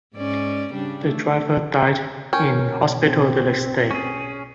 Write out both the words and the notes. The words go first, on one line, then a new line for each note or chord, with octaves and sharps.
The driver died in hospital the next day.
G#2 C#4 D5
C#3 G3 D4
A3
B1 G2 B2 C#4 A#4 G5
C4
C#4 G#4